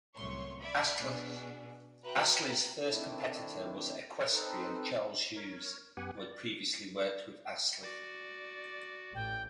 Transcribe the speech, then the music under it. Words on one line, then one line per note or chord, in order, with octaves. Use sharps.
Astley's first competitor was equestrian Charles Hughes, who had previously worked with Astley.
C2 F#2 A2 C#5 C6 C#6
D5 E5 B5 D6 G#6
B2 D4 G#4
F#4 B4 E5 G5 A#5 F#6
D#3 A3 C4 D4 E4
C4 D#4 A4 B4 C5
A#4 C#5
F#2 B3 G4 F#5 G#5
D5
F#4 D5
A1 G5